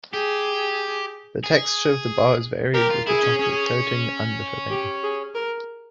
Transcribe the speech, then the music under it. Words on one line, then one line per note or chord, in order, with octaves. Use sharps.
The texture of the bar is varied with the chocolate coating and the filling.
G4 G#4
G#4
G4 A#4
F4
E4 G#4
C#4
C#4
G4
G#4
A#4